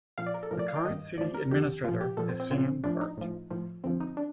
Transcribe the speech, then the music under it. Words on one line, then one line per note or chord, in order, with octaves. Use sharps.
The current City Administrator is Sam Burt.
A#2 F3 F5
D5
A#4
A4
A2 F3 A#4
D5
F5
G5
G2 D#3 D#5
A2 F3 D5
A#4
F2 C3 D#3 G4
A#2 F3 F4
G4
A#2 F3 A4
C4
C4
A#2 F3 C4
A2 F3 D4
D#4
A2 F3
A2 F3
F2 D3 F3 C4
D#4
D4